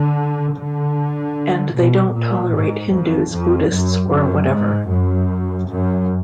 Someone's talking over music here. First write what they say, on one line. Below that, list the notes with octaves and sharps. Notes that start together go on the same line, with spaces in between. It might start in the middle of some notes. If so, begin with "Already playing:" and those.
And they don't tolerate Hindus, Buddhists or whatever.
Already playing: D3
D3
B2
A#2
G#2
F2
F2
F#2
F#2
G#2
F#2
F#2